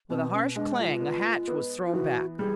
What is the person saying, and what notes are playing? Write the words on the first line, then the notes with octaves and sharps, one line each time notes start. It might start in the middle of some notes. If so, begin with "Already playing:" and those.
With a harsh clang a hatch was thrown back.
B2 C4
C#4
G#3 D4
F4
B3
B3
F4
E3 F#4
G3 G#4